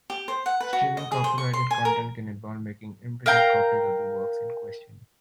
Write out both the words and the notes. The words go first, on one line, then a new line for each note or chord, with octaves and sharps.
Streaming copyrighted content can involve making infringing copies of the works in question.
G4
C5
F#5
B4
F#4
D#5
G#4
C5
C#6
C6
G#5
A#4
A#4 F5 G5 A#5